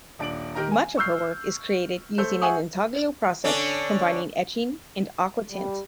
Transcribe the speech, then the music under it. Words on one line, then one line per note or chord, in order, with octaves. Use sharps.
Much of her work is created using an intaglio process combining etching and aquatint.
D#1 D4 D7 F#7
D#3 G4 A#4 A#5
G#5
C#6 E6 F6 G6 C7
A3 C5 E6 G6
G#4 E5 F#5 G#5 C#6 D#6
D3 C#4 D4
G3